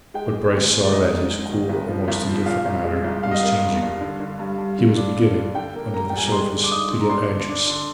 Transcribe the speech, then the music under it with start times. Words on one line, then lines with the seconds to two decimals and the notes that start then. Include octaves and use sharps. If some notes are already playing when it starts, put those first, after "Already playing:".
But Bryce saw that his cool, almost indifferent manner was changing--he was beginning, under the surface, to get anxious.
0.14 G#3 G5
0.34 G#3
0.53 D2
0.73 G#3
0.84 D5
0.91 G#2 D#5
1.11 G#2
1.30 G#2
1.50 D#3
1.69 C2
1.88 F3
2.08 C2
2.27 F3
2.46 A#2 F5
2.65 C2
2.84 G#3
3.04 C2
3.23 G2 F5
3.31 D#5
3.39 A#3 F5
3.62 A#3
3.82 G2
4.01 D3
4.20 D3
4.39 G2
4.58 G2
4.78 D3
4.97 D4
5.17 D3
5.36 D4
5.55 D3 G5
5.75 A#3
5.93 A#3 A#5
6.10 G5
6.13 G3 G#5
6.25 A#5
6.32 G#3 C6
6.52 D3
6.63 D6
6.71 D#4 D#6
6.91 D3
7.01 A#5
7.10 D4 C6
7.29 D3
7.49 D4
7.67 D3